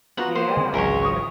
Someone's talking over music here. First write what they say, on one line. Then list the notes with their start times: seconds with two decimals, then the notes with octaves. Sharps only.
Yeah. Yeah.
0.17 B3 F4 F#4 F#5 A#5
0.35 A#3 C5
0.57 D3 C4
0.74 G#1 C#2 F#3 A#4 C#5
1.02 C#6 D#6